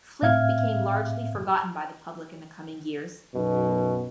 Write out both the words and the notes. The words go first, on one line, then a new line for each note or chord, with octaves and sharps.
Flip became largely forgotten by the public in the coming years.
A2 C4 E5 F5 F6 G#6
B1 F#2 B2